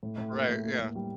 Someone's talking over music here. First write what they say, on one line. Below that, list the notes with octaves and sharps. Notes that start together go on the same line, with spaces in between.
Right, yeah.
A2
A2
A#3
A2
A#3
A2
G3